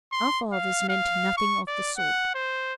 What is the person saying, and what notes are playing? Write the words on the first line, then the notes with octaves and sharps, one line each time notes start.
Our fathers meant nothing of the sort.
C6
F5
F5
C#6
D5
F#5
C5